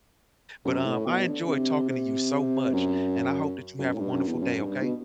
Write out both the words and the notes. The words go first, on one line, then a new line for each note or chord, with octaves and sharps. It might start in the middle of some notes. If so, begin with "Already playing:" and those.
but, um, I enjoyed talking to you so much, and I hope that you have a wonderful day, okay?
F#2
A2
B2
D3
C3
C3
F#2
F#2
A2
G2
F#2
E2
F#2
G2
B2